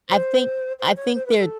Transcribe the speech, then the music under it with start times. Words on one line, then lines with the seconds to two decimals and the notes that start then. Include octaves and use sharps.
I think I think they're
0.09 C5
0.79 C5
0.96 C#5
1.14 C5
1.26 B4
1.38 A4